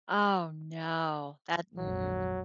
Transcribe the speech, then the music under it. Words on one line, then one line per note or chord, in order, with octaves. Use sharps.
Oh, no. That mm-mm.
A#1 F2 G#2 F#3